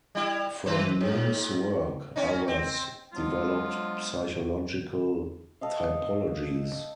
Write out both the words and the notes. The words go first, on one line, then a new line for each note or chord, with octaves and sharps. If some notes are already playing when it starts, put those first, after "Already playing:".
From Jung's work, others developed psychological typologies.
G3 E4
D#3 B4 C5
G#2
C4 C#4 D#4
C4
F3 F#3 G#3 B3 D4 F4
A4 D#5 F5